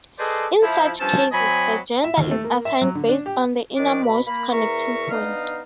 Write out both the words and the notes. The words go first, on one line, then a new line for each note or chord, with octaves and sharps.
In such cases, the gender is assigned based on the "innermost" connecting point.
G#4 A4 B4 C5 D5 D#5
F3 E4
G2 F3 C4 C#4 A5
F#3 C4 D#5 G#5 B5
E5
D#2
A3
A#3
E5
F#3
D3
D4
G4
A#2 D#3 F3 C4 D4 D6
B2 B5
A#3 B5
E2 A#4 E5 A#5 C#6
B3 D4 D#4 D#5 F5